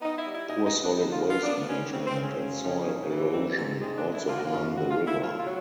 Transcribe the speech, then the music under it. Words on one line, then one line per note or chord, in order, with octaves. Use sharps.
Poor solid waste management and soil erosion also harm the river.
B3 D#4
E4
G3
E4
B2 D#4
D#4
B3
D4
C3 D#4
F4
B3
F4
B3 D4
D#3 C#4
C#3 C4
C4
C#3
C#4
F#2
C#3
G#2
E3
G3 C4
G#2
G#3 C4
D4
D3
E4
D3 F4
F#4
F4
F#2
A2 F#4
F4
A3
E4
A2 F4
F4
F#3